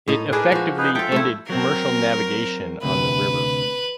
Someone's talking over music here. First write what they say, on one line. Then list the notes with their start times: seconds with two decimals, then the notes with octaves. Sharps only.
It effectively ended commercial navigation on the river.
0.08 A2 D#4
0.32 D4 G#4 A#4 B4
0.52 F3 F#4
0.78 D#4 G#4 B4
0.95 F4 A4 E5 G5
1.12 A3 E4
1.50 F#3 C4 A#4
2.83 D2 C3 B4